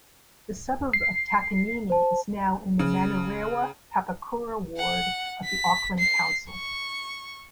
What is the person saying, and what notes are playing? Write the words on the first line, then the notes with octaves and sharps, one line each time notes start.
The suburb of Takanini is now in the Manurewa-Papakura Ward of the Auckland Council.
C7
C5 A5
C#3
F#5
B6
C7
C#6